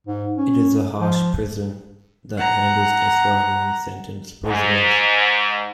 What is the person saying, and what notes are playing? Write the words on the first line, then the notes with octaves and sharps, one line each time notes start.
It is a harsh prison that handles death row and long-sentence prisoners.
G#2
C#4
F3
F#5 A#5
G#2